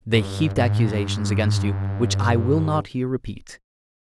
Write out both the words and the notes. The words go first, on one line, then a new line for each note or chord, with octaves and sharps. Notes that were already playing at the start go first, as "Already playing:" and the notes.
They heaped accusations against you which I will not here repeat.
G#2
G2
G2
G#2
A#2
G2
G#2
G2